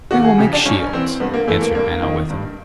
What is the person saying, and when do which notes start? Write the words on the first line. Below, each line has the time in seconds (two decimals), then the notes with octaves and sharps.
'We will make shields,' answered Manawyddan.
0.11 D#2 F#4
0.25 G#4
0.38 C#3 G4
0.41 F3
0.53 D4
0.66 G2 C#4
0.93 E3 C4
1.20 G2 B3
1.34 A#3
1.48 E3 A3
1.62 A#3
1.75 G2 A#3
2.03 D#3
2.30 G2